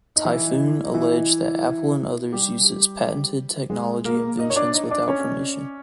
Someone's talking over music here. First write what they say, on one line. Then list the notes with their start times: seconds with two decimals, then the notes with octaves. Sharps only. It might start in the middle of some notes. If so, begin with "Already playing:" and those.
Typhoon alleged that Apple and others used its patented technology inventions without permission.
0.16 D#4
0.25 E3 E4
0.85 D#4
0.94 E3 E4
2.32 G3 G4
3.70 G#3 G#4
4.05 A#3 A#4
4.39 D#4 D#5
4.50 C#5
4.56 D4 D5
4.74 D#4 D#5
4.91 D4 D5
5.08 C#4 C#5